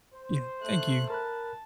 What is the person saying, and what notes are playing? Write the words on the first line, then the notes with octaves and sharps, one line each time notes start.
Yeah, thank you.
C5
A3 F#6
A#4 A5 B5 F#6